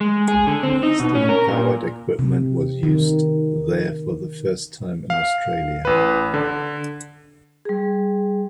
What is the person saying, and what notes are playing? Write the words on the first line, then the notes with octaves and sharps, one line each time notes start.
Steam-powered equipment was used there for the first time in Australia.
G#3
G#4
D3
C4
D#4
B2
C#4
A#4
A#2
C3
D#3
F5
A1 B4
D3
G3 G#4